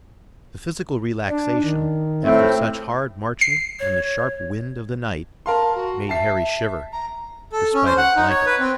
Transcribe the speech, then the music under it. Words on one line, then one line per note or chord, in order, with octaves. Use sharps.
The physical relaxation after such hard marching and the sharp wind of the night made Harry shiver, despite his blanket.
D4
D#3
A2 A3 C4
C7
C#5
A#4 F5 A5 C6
F#4
E5 A5 C7
A#5
A4
C#4
C5
F#5
D#4
C#5
B4
C4